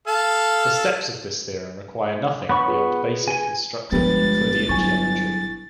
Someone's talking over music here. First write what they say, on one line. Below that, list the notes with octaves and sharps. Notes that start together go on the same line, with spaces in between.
The steps of this theorem require nothing beyond basic constructive Euclidean geometry.
A4 F5 A5
B3 D4 C#5 B5 C#6
F4 G#4 B4
G#5
G1 F3 G#3 B3 G4 B4 A6
F#3 E4 G#5 C#6